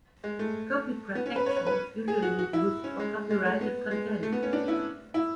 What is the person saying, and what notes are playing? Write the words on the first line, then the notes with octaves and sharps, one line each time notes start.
Copy protection is usually used for copyrighted content.
G#3
A3
B3
C#4
B4
C#5
C#5
B4
G#4
F#4
F#4
E4
C#4
G#3
G#3
A3
B3
G#3
A3
B3
C#4
D4
E4
E4